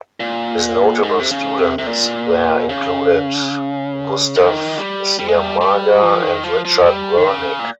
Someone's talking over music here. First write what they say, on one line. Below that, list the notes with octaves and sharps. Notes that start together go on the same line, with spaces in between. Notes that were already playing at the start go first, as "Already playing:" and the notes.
His notable students there included Gustav Ciamaga and Richard Wernick.
A#2
G#2
C3
C#3
C3
C3
A#2
C#3
D#3
G3
G3
G#3
G3
G3
F3
D#3
F3
F3
G3
D#3
C#3
A#2